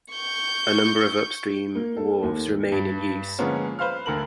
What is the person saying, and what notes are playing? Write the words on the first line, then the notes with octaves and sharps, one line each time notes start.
A number of upstream wharves remain in use.
C#6 G6
A#3
A4
D#2
G2
D3 F3 G#3 A#3 B3 C#4
B4 C5 F5 F6
D2 D3 A#4 F#7